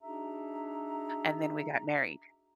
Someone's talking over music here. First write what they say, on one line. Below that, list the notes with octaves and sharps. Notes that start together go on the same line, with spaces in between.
and then we got married.
D4 D#4 F#4 G#4 E5 A#5